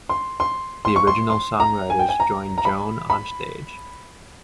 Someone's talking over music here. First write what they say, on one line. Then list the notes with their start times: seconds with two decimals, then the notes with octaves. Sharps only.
The original songwriters join Joan on stage.
0.09 C6
0.40 C6
0.85 C6
0.96 C#6
1.07 C6
1.30 C6
1.60 A#5
1.90 G#5
1.99 G5
2.09 G#5
2.20 A#5
2.58 A#5
2.65 B5
3.10 B5